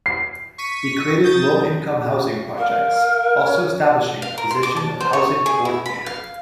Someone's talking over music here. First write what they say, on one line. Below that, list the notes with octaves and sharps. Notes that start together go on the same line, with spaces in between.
He created low-income housing projects, also establishing the position of housing coordinator.
C7
C#6 B6 D#7
D#6 G6 A6
A#4 F5
C#5
F5
A#4
C6
D6
A5
C5
C#5
G#4
E4
B5
F5